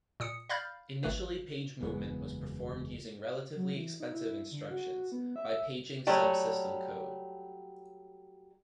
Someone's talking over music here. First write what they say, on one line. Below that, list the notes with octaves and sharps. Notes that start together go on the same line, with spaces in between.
Initially page movement was performed using relatively expensive instructions, by paging subsystem code.
A#2 D#6 C#7
D5 F5 B5 F6 G6 A6
G#1 A3 B4
F#1 E2 G#3 B3
F#3
E3
D#4
E4
D3
F#4
B3
E5
F#3 G3 A3 C#5